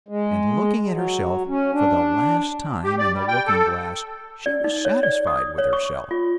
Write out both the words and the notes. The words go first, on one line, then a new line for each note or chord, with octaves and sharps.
And looking at herself for the last time in the looking-glass she was satisfied with herself.
G#3
F#3
C#4
D4
G4
D5
G3
G5
A4
D5
D#4
C#5
D5
D#6
C#5
C#6
F4